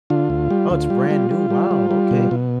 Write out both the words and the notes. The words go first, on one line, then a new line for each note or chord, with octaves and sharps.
Oh, it's brand new, wow, okay.
D3 F4
D2
G3
D2
G3
G3
G3
G3
G3
G3
B2
B2